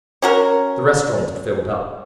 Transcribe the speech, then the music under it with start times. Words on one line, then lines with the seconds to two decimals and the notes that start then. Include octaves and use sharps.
The restaurant had filled up.
0.22 C#4 F#4 A#4